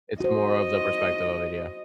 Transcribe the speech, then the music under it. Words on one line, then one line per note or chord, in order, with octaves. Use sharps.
It's more of the perspective of it, yeah.
F#4 C5 D#5